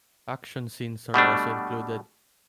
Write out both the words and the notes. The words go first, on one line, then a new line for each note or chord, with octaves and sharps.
Action scenes are also included.
B2 G3 A3 D4